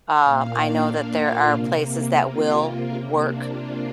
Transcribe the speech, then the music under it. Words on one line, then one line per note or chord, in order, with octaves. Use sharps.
uh, I know that there are places that will work
A#2 A#3 C5 F5
D4
F4
C3 A#3
F4
F4
C3 A#3 F4 A#4
D4
F4